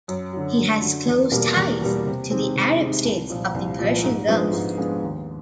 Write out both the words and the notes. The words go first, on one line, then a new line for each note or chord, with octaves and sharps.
He has close ties to the Arab states of the Persian Gulf.
F#2
D3 F#3
F#2
D3 F#3
E2
B2 G3 A#3
E2
B2 G3 A#3
C3
D#3 G#3 C4
C3
D#3 G#3 C4
C2
A#2 F3
C2
A#2 F3
G#2
F3 G#3 B3 D4
G#2
F3 G#3 B3 D4
D#2